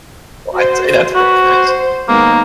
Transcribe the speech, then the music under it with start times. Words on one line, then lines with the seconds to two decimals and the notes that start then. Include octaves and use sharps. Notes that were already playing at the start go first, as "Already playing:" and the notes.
Well, I'd say that's really nice.
0.54 F#4 C5
1.16 F#4 B4
1.45 C5
2.08 D#3 G#3 A#3 B3